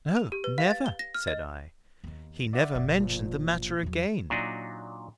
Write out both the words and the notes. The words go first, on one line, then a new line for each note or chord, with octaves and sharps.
"No--never," said I. "He never mentioned the matter again."
F7
G4
B4
F5
A6
G7
A#6
F6
D#5
D#2 B3
D5 E5 F#5
G1 B2
A#2 F3
E2 F#3
A#2 F#3 D4 D#4